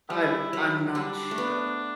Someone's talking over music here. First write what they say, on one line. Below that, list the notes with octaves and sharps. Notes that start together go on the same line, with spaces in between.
I'm I'm not sure.
G3 E4
F#3
G3 D4
A3
B3